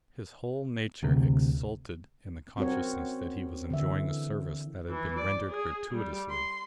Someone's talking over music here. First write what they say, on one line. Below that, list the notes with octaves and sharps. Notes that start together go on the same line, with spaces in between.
His whole nature exulted in the consciousness that he was enjoying a service that had been rendered gratuitously.
D2 C3
C4 C#4 F#4 A#4 C#5
D3 E3 E5
E3
D5
G#4
G3
C6